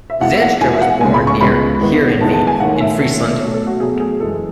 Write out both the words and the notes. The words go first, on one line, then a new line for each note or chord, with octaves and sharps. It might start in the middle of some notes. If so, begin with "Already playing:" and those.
Zanstra was born near Heerenveen in Friesland.
E5
E2 B2 G#3 F#5
E5
F#5
E2 B2 G#3 G#5
E5
F#5
C#2 C#3 G#3 B3 G#5
B5
C#6
C#2 C#3 G#3 B3 B5
E2 D#3 G#3 B3
E2 D#3 G#3 B3 A5
A5
G#5
D#2 D#3 A3 F#5
E5
D#2 D#3 A3
B2 F#3 A3 C#5
A4
F#4
B2 F#3 A3 G#4
G#4
F#2 E3 G#3 A4